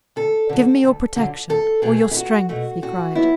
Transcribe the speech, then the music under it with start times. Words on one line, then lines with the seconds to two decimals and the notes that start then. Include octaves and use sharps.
"Give me your protection--or your strength!" he cried.
0.16 D2 A4
0.49 D3 F#3
0.83 D2
1.16 D3 F#3
1.49 E2 A4
1.82 B2 A3 G#4
2.11 E4
2.15 E2 F#4
2.49 B2 A3 F#4
2.82 A2 F#4
3.15 F#3 B3 E4